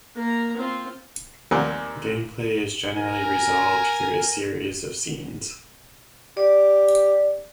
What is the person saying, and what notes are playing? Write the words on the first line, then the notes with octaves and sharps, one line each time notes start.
Gameplay is generally resolved through a series of "scenes".
A#3 A#5
C4 F4
D#2 G3 C4 G4 A#4 G#5
A#4 G#5
G4 D5